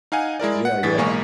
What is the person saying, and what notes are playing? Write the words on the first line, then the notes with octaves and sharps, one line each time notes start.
Yeah, yeah.
D#4 F5 F#5 G#5
G#3 E4 A#4 D5
F#5
A2 E3 A6 B6
B1 G#3 A#3 G#5 C#6